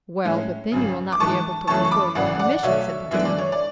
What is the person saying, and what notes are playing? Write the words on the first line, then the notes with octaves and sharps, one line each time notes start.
"Well, but then you will not be able to fulfill your commission," said d'Artagnan.
A2 G#3 C#4 E4
G#1 F#2 C#3
D6
G#2 E3 G#3 A5 C#6
F#2 C#3 E3 A3 C#4 A5 C#6
C#6
B5 D6
G#1 F#2 C#3 E3 D5 F#5
D5 F#5
B1 B2 A3 C#5 E5
F#2 E3 G#3 B3 D4 E5
D5
C#5
D5